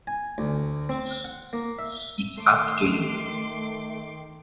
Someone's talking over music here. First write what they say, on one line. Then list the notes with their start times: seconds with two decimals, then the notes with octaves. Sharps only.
It's up to you.
0.07 G#5
0.38 D2
0.89 C4
1.24 F#5
1.53 A#3
1.79 E5
2.37 D#3 A3 C6 D6